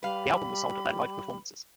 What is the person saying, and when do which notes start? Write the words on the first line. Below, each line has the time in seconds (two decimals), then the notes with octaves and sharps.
The album was sold at their live performances.
0.03 G3 B4 F5 B5